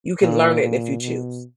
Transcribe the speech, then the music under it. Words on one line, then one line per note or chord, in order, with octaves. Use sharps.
You can learn it if you choose.
A#2
A#2
B2